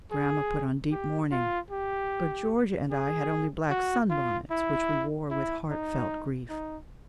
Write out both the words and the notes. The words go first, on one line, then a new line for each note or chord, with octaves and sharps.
Grandma put on deep mourning, but Georgia and I had only black sun-bonnets, which we wore with heartfelt grief.
G#4
G4
F4
G4
G#4
F#4
F4
E4
E4
D#4
D#4